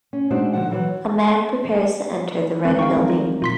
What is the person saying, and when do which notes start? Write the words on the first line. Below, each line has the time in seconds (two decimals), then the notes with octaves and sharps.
A man prepares to enter the red building.
0.13 C#4
0.30 G#3 D4 D#4 F#4 C5 E5
0.53 D3 F3 F#4 F#5
0.71 E3 F#3
2.65 D#3 G#3 C4 A#4
2.79 A3 C4 D#4 F5 G5 C#6
2.95 F3 F#3 A#4
3.10 F4
3.26 E4
3.42 A#2 F4 C6 B6